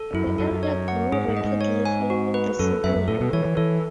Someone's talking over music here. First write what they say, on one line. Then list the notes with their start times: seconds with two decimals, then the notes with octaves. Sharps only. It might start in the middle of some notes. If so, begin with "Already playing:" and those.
The area grew rapidly following the Civil War.
Already playing: A4
0.14 F#2 E4
0.27 F#2
0.38 F#2 A4
0.51 F#2
0.63 C#5
0.88 F#5
1.12 G#2 G#4
1.28 G#2
1.37 D#5
1.44 G#2
1.61 C#5
1.85 G#5
2.10 F#4
2.34 B4
2.59 F#2 A4
2.84 F#2 E5
2.96 F#2
3.08 A2 A4
3.20 B2
3.33 E3 C#5
3.45 E3
3.57 E3 A4